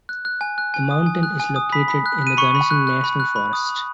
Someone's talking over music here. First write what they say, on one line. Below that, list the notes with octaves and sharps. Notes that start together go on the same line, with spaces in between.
The mountain is located in the Gunnison National Forest.
F#6
F#6
G#5
F#6
G#5
D#6
G#5
F#6
G#5
D#6
B5 B6
B5
F#6
F#6 D#7
B5 C#6 C#7
B5
F#6
F#6
B5
F#6
B5
D#6
B5